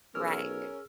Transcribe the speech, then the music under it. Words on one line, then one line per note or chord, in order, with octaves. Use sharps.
Right, i
B1 C#4 G#4 A#4 C#5 E6 F6